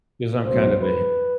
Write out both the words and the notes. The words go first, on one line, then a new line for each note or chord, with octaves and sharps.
'cause I'm kind of a hi
C#2 B2 F#3 C5
B4